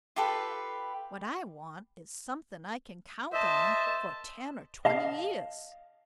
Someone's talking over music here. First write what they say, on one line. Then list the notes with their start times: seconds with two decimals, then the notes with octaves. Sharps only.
What I want is something I can count on for ten or twenty years.
0.16 F4 G4 A4 B4
3.33 C5 D#5 E5 A5
4.85 D#5 F5 A5